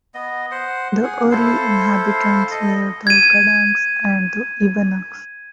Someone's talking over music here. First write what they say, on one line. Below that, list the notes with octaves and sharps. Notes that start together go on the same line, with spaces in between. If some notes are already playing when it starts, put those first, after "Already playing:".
The early inhabitants were the Gaddangs and the Ibanags.
B3 D#5
C5 F#5
G#4 F#5
E4 A4 C5 F5
A4 D#5
G#6 D#7